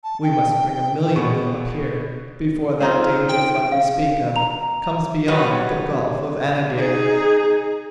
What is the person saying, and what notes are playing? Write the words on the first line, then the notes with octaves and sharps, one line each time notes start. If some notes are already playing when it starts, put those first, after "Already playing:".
We must bring a million of them up here before that danger-flood we speak of comes beyond the Gulf of Anadyr.
A5
G5
G5
B2 B3 G#4 C#6
C4 D#4 F4
G5
F5
A#5 F7
A2 F#3 G3 B4 C#5 D#5
D#4 G#4